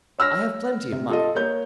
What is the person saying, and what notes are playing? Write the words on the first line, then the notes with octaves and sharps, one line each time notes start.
I have plenty of money.'
C#5 E6 F6 A#6
C3
F4 A4 D#5
A#3 C#5 G6